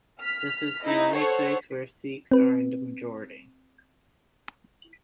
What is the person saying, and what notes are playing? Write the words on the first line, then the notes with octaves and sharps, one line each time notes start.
This is the only place where Sikhs are in the majority.
F6 B6
D#4 E4 D#5
A4 C5 C#5 F#5 C#6
C4 B4